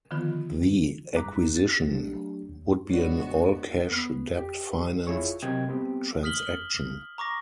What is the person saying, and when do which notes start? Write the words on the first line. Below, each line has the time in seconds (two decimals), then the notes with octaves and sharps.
The acquisition would be an all-cash, debt-financed transaction.
0.11 D3 D#3 F3 B3 F4
1.15 G2 G3 A#5 D6 F#6 B6
1.34 D#4
1.56 A6
1.85 F#3 A3 D4 G4
2.49 D#2
2.90 G#2 B3 C#4 D4 F#4 B4
3.91 B3
4.38 G4
5.07 E4 F4 G#4 C#5 C#6
5.42 C3 F#3 A#4 D#5 G5 G#6
5.68 G3 B3 C4 G4
6.23 D#6 F6 B6 F#7 G7
7.18 A#5 C#6 D6 A#6